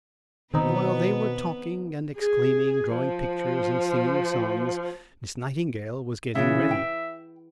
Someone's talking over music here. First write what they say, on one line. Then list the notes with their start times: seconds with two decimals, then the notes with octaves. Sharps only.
But while they were talking and exclaiming, drawing pictures and singing songs, Miss Nightingale was getting ready.
0.54 B2 D#3 B3 C4 D#4 B4
2.16 G#4
2.92 F3
6.35 C#3 E3 E5
6.71 G5